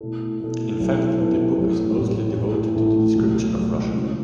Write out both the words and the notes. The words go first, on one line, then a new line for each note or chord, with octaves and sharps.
In fact, the book is mostly devoted to the description of Russia.
B2 A3 E4 A4
B2 A3 E4 A4
B1 B2 B3 E4 A4
B1 B2 B3 E4 A4
A1 A2 F#3
A1 A2 F#3
A1 A2 E3 A3
A1 A2 E3 A3
C#2 B2 F#3 A3
C#2 B2 F#3 A3
C#2 C#3 A3 C#4 F#4